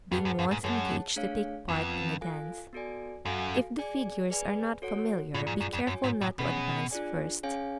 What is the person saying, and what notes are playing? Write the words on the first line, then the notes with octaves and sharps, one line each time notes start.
Being once engaged to take part in the dance, if the figures are not familiar, be careful not to advance first.
F2 G#4 B4 F#5 A5
F#2
F#2
G#2
F#2 G#4 C#5 F#5 A5
A3 D4 G#4 C#5 F5
F2 B3 F4 B4 F#5
F4 A4 F5 G#5
B3 F#4 A4 D5 G#5
F#2 F#4 A4 F5 G#5
G#4 D5 G#5
G#4 B4 D5 G#5
F#4 A4 C#5 F#5
A2 F4 G#4 D5
G#2
F#2
F2
F#2 F#4 C#5 G#5
G#2
A2
B2 C#4 G#4 C#5 G#5
D4 F4 G#4 D5 G#5
C#4 G#4 C#5 F5 G#5